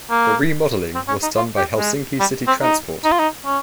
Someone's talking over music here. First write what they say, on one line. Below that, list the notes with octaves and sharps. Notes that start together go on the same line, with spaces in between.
The remodelling was done by Helsinki City Transport.
A#3
C4
C#4
D#4
F4
G4
G#3
G3
C4
D#4
D#4
F4
D#4
C#4